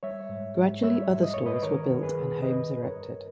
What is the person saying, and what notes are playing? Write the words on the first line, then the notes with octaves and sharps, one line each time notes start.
Gradually other stores were built and homes erected.
G3 C#5 E5
G#2
G#2
G3 C#5 E5
G#2
D#5
G#2 C#5
B4 D#5
D#3 A#4 C#5
G2
G#4 B4
D#3
G2 B4 D#5
G2
A#4 C#5
G2